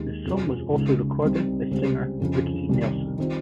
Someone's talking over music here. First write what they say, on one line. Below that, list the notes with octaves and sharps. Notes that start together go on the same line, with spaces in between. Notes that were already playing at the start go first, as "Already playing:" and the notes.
The song was also recorded by singer Ricky Nelson.
Already playing: D#2 D#3 G#3 D#4 G4
F2 C3 F3 G#3 C#4
C#2 C#3 G#3 D#4
C2 C3 G3 C4 D#4
C#2 C#3 G3 C4 G4
F2 C#3 F3
C2 C3 D#3 G3
D#3 G3 C4 F4